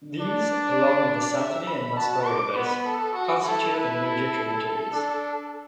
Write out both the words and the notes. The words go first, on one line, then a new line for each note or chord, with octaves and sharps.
These, along with the Sahtaneh and Muskwa Rivers constitute the major tributaries.
D4 D5
E5
B5
F#4 A5
D6
B3 B5
A4
F#4
E4 A4
E4 B4
A4
D4